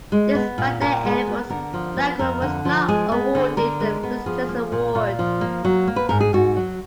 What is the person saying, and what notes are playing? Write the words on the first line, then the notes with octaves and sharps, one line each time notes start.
Despite their efforts, Laguerre was not awarded the prestigious award.
G#3
B3
A#2
A#2 A#4
G#3
B3
D3 A#4
F3
B3
F2 A#4
D3
F3
G#3 G#4
B3
D3
D3 A#4
G#3
B3
F3 G#4
A#3
A#2
A#2 F4
F3
A#3
F#3
A#3
B4
G#2 A#4
G#4
G#2 F#4
F#3